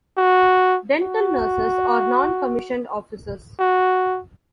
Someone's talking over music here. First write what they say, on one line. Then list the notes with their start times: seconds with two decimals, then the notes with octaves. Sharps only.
Dental nurses are non-commissioned officers.
0.17 F#4
1.02 F#4
3.59 F#4